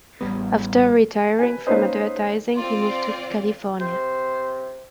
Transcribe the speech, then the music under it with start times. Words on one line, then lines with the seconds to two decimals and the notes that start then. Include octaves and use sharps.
After retiring from advertising, he moved to California.
0.21 A1 G3 B3
1.39 B4 G#5
1.67 A#3 C#4 D#4 B4 C5 D#5
2.56 C4 F4 D5 C6
3.81 C3 C5